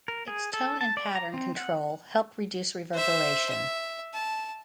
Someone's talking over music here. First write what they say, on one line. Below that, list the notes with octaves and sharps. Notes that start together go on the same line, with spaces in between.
Its tone and pattern control helped reduce reverberation.
A#4
G#4
A4
A5
D5
A#5
C4
F#5
C5 E5
E5
A5